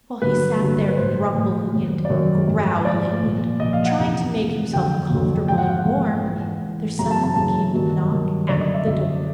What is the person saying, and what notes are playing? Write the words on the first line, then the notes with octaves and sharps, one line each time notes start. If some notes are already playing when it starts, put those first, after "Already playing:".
While he sat there grumbling and growling and trying to make himself comfortable and warm, there suddenly came a knock at the door.
G2 D3 F#3 B4
G2 D3 F#3
B4
A2 F3 C5
A2 F3
F#2 D#3 F#3
D5
F#2 D#3 F#3 C#5
G#2 F3
G#2 F3 D5
A#2 F3
A#2 F3 D#5
F5
F#5
F2 C3 E3
F2 C3 E3
F2 D3 F#3 G5
F2 D3 F#3
G#2 F3 G5
F#5
F5
F#5
G#2 F3
G#2 E3
G#2 E3
F#2 C#3 E3 A#5
A5
A5
F#2 C#3 E3 A5
G2 D#3 F#3
G2 D#3 F#3
F#2 D3 F#3 D5
D#5
E5
F#2 D3 F#3 E5